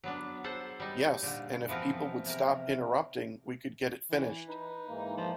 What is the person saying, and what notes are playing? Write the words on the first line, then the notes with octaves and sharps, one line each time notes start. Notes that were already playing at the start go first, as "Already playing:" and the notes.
Yes, and if people would stop interrupting we could get it finished.
F#3 B3 D4
A4 C5 F#5
G3 D#4
A#2 D3
E3 F3 B3 C4 A#4
C3 A#4
E3
D#4 B4
G#2 E3 A#3
F3